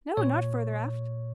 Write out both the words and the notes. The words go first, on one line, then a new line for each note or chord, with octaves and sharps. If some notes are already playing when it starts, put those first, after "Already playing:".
"No, not further aft."
A#2 C#5